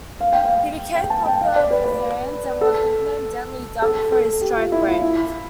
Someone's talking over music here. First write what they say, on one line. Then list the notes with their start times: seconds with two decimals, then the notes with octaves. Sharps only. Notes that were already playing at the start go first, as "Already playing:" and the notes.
He became popular with the fans and was nicknamed 'Deadly Dunc' for his strike-rate.
0.21 F5
0.33 G5
0.46 F5
0.95 G5
1.10 A5
1.26 G5
1.41 F5
1.56 D5
1.71 B4
1.86 B4
2.61 A4
3.82 A4
4.12 A4
4.42 G4
4.56 F4
4.72 E4
4.87 F4
5.01 E4